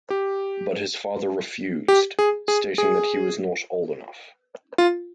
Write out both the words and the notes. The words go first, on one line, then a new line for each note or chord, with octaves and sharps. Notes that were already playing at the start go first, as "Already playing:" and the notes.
But his father refused, stating that he was not old enough.
G4
G4
G#4
G#4
G#4
F4